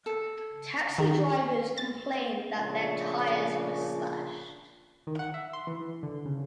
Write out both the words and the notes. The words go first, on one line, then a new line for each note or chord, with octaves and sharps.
Taxi drivers complained that their tires were slashed.
A4
D#3
A6
A#2 C#3 F3 D4
D#3
F#5
E5
C6
E3
D3
C#3